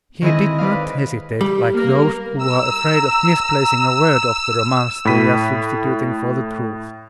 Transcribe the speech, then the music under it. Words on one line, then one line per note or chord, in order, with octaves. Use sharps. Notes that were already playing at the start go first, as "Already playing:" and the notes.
He did not hesitate like those who are afraid of misplacing a word of the romance they are substituting for the truth.
D#3 G#3 C4 E4 G#4 D#5
B4 D5 D#5 F5
G3
A#3 A#4
A#5 E6
A2 B5 B6 D#7